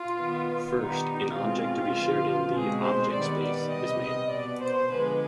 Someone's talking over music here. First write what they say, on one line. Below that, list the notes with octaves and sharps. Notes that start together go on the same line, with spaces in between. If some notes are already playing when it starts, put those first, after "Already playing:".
First, an object to be shared in the "Object Space" is made.
Already playing: F4
D#3 B3
D#3 G3 B3 D#4
B2 G#3 C4 F4
D3 F3 B3
B2 G#3 C4 G#4
C5
D#3 G3 B3 D5
D5
C3 G3 B3 D#5
D#5
B2 B3 D5
C5
D3 F3 G#3 B3 B4